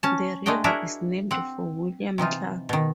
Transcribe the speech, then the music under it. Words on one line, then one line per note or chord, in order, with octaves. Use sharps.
The river is named for William Clark.
C#4 A5
G#3 A3 D4 D#5 G5
D4 E4 F#4 G#4 A#4 E5
C4 F#5
C3 E3 D#4 F4
B2 D#3